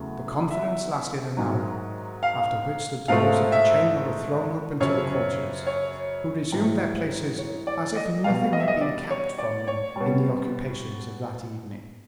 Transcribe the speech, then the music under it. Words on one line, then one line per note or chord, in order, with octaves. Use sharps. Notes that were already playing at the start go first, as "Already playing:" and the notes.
The conference lasted an hour; after which the doors of the chamber were thrown open to the courtiers, who resumed their places as if nothing had been kept from them in the occupations of that evening.
Already playing: E2 C#3 F#3 A3
E5
G#2 D#3 F#3
F5
G#2 F3 A3 F5
E5
F#2 C#3 F3 C#5
C#5
G#2 E3 G3
C#5
D5
D#5
B2 G3 F5
D#5
E5
D#5
D5
C#5
D5
C#5
B2 G3